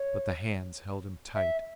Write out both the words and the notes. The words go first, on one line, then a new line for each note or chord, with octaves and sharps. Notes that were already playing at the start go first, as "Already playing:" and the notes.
But the hands held him tight.
Already playing: C#5
E5